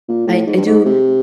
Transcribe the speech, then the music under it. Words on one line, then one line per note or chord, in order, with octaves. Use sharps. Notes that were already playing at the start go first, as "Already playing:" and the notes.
I I do
A#2
A2
G#2
G2
G#2
C3